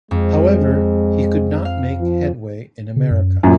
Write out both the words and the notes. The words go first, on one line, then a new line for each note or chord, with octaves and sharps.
However he could not make headway in America.
F2 G#3
F5
F3
C#3
F#2
F#2 A#2